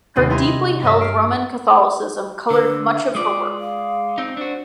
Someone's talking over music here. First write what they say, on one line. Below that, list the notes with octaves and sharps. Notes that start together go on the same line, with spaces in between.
Her deeply held Roman Catholicism coloured much of her work.
D#2 C3 C4 C#4
G3 E4 A#5 C6 D#6 G#6
D#5
G2 C#5 D#5 A5 E6 B6
D6 F6 B6 C7 D7
D3 B4
E5
G#3 F4 D5
F5
C4 D#4
D4 F#4 C5